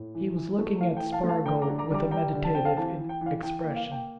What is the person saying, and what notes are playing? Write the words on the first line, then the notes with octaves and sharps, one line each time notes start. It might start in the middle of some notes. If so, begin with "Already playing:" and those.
He was looking at Spargo with a meditative expression.
Already playing: A2
E3
E3
A3
E3 F5
G5
E3
F5 A5
A3
F5 A5
D3 G5 A#5
A#5 D6
D3
A#5 D6
G3 A#5 D6
G3 G5 A#5
D3
A5
C4 G5
F5 A5
E3 F5 A5
E3
G5
E3
F5
E3 G5
G5
A#3
F5
A#3
G5